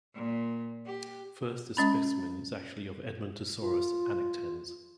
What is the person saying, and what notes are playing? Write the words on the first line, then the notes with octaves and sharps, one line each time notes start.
First, the specimen is actually of "Edmontosaurus annectens".
A#2
G4
G#3 C#4 B5
F4